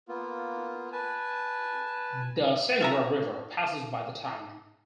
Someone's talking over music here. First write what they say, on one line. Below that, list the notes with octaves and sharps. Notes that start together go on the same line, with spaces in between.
The Segura River passes by the town.
A#3 B3 F4
B4 G#5 A5
F4 E5 A#5